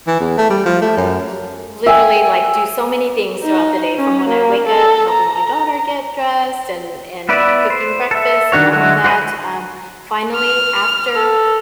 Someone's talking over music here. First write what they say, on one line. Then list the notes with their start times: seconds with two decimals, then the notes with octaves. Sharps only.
l literally, like, do so many things throughout the day from when I wake up, helping my daughter get dressed, and and cooking breakfast, and all of that, um, finally, after
0.07 E3
0.20 E2
0.38 A3
0.50 G3
0.66 F3
0.82 A3
0.97 F#2
1.86 E5 G5 G#5
3.44 D#4
3.98 C#4
4.27 A#3
4.67 A4
5.11 A#5
7.29 B3 E4 B4 D5 E5
7.70 C5
8.11 A4 E5
8.52 D#3 D4 F#4 C#5
8.72 D3 F#3 G#3 E4 F#4
9.04 F#4 C5 D5 G#5 B5
10.35 F6
11.15 A4